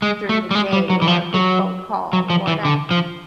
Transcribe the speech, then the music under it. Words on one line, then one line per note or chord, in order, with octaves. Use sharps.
during the day, or a quick phone call, or that
G#3
A3
G3
G#3
G3
F#3
E3
F3
F#3
F#3
F3
E3
D3
F3